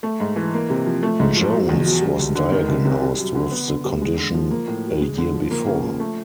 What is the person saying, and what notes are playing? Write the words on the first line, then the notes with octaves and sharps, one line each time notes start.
Jones was diagnosed with the condition a year before.
A3
G#2
E3
A#3
C3
F3
A3
G#2
F3
F#3
E2
B2
G3
D2
D3
D#3
C2
C3
G3
F#2
D3
B3
D3
G3
G#3
D3
F3
A#3
A2
F#3
G#3
D3
F3
A#3
C#3
F3
A3